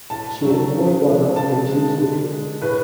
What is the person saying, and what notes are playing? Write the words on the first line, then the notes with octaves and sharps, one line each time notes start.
She had four brothers and two sisters.
A2 A5
F#3 A3
C#3
F3 G#3
C#3 A5
G#3
D3
G#3
A2 B4